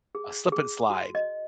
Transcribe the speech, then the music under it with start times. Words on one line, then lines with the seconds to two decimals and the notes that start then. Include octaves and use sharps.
a Slip 'N Slide
0.15 G#4
0.52 G#4
0.90 F#4
1.15 D#5